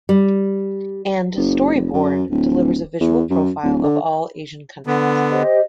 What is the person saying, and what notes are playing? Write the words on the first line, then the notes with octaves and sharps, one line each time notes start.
And "Story Board" delivers a visual profile of all Asian countries.
G3
F#1
F1
F#2
D1
E2
F#2
D1
D3
D3 B3
G4 C5 D#5